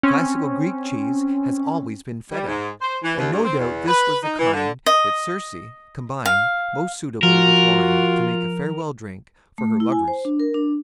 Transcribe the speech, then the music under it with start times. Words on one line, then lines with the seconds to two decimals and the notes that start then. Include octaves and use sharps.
The classical Greek cheese has always been Feta, and no doubt this was the kind that Circe combined most suitably with wine to make a farewell drink for her lovers.
0.03 C4 C#4
2.32 G3
2.48 G#2
2.81 C5
3.03 E3
3.18 D#2
3.32 G2
3.44 C4
3.59 E2
3.88 B4
4.22 D#4
4.39 E3
4.54 D3
4.86 D#5
6.25 F5
7.23 F3 F4 F#4 A#4
9.58 A3
9.80 E4
9.92 G#5
10.08 C5
10.25 D4
10.40 A#4
10.54 D4